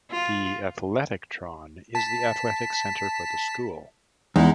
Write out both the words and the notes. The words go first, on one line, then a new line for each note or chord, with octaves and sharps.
The "Athletictron" is the athletic center for the school.
F4
A5 B6
E2 G#3 D#4 E4